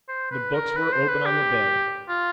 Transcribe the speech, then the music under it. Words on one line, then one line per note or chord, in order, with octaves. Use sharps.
The books were open on the bed.
C5
B4
A#4
B4
C5
B4
G4
F4